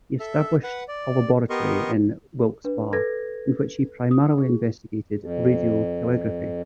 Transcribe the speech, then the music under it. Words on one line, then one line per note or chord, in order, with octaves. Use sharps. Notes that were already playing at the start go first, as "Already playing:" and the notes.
He established a laboratory in Wilkes-Barre, in which he primarily investigated radiotelegraphy.
A4 E5
B4 F#5
D5
B3 G4 A#4 D#5 C6 C#6
D4 B4
A4 B4 G#6 A#6
D#6
G#4
F2